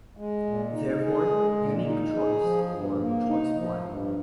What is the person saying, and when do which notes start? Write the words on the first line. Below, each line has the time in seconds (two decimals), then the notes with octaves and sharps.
Therefore Unique Choice or Choice One.
0.17 G#3
0.46 A#2
0.73 D#4
1.01 G#4
1.30 G#3
1.57 A#2
1.87 D#4
2.15 G#4
2.42 F3
2.71 G2
2.99 A#3
3.27 D#4
3.54 F3
3.83 G2